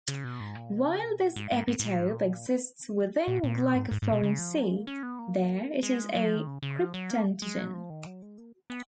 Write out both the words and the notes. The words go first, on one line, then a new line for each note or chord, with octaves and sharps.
While this epitope exists within glycophorin C there it is a cryptantigen.
C#3
B2
G#2
A#2
B2
C#3
B2
A#2
G#2
G#2
G#2
G#2
A#2
G#2
A#2
B2
A#2
A#2
A#2
B2
G#2
G#2
G#2
B2
C#3
F3
F#3
G#3
A#3
C#4
B3
A#3
G#3
F#3
F3
D#3
C#3
C#3
F3
F#3
A#3
G#3
F#3
F3
D#3
F#3
G#3
A#3
B3